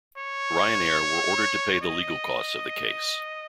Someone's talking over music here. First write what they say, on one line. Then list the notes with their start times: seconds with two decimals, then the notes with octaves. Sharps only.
Ryanair were ordered to pay the legal costs of the case.
0.18 C#5
1.81 D#5